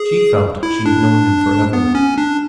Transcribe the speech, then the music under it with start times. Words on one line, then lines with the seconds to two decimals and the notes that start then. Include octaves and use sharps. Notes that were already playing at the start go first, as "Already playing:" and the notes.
She felt she had known him for ever.
Already playing: G#4
0.63 E4
0.86 D4
1.73 B3
1.95 C#4
2.18 D4